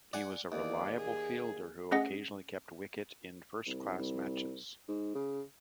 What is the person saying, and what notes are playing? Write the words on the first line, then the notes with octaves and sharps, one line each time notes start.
He was a reliable fielder who occasionally kept wicket in first-class matches.
D5 F#5 G#5
D#2 D5
G#4
A3 C#4 G#4 D#5 F#5 A#6
C2
C2
G#2
C#3